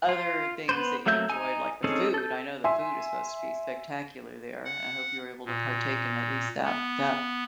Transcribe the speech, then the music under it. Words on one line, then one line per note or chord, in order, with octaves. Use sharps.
other things that you enjoyed, like the food, I know the food is supposed to be spectacular there, I hope you were able to partake in at least that that
F4
B3 B4 C5
F#3 A3 A#3 E5 G6
D#4 G#5
C4 C#4 D#4 G#4 A4
A4 G6
E5 G#5 C6
F#5
A#2
B3